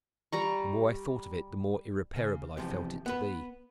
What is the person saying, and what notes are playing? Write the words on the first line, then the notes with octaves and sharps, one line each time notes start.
The more I thought of it, the more irreparable I felt it to be.
G3 A#5 C#6
C#3
B1 E2 C3 F3
B3 B4